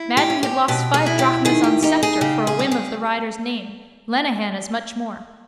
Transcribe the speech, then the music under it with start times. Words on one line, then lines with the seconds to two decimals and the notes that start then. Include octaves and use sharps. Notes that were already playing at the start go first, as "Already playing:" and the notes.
Madden had lost five drachmas on Sceptre for a whim of the rider's name: Lenehan as much more.
Already playing: E4
0.17 G4
0.30 C#4
0.43 G4
0.68 B2 G4
0.94 G#4
1.06 E4
1.19 G4
1.45 D#3 G#4
1.64 G4
1.82 D#4 G4
2.03 G#4
2.21 C#3 G4
2.47 G#4
2.59 G3
2.72 G#4